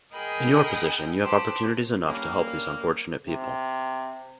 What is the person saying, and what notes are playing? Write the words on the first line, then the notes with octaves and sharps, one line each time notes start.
In your position you have opportunities enough to help these unfortunate people.
G#4 A#4 D#5 G5 B5 D#6
G4 B4 C5 A5
G3 A#3 C#4 D4
C3